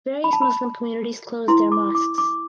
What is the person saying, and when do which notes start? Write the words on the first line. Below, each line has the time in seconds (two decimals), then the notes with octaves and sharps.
Various Muslim communities closed their mosques.
0.24 B5
0.33 A5
0.42 B5
1.48 E4 B4 C6
1.72 D6
1.95 D6
2.18 D6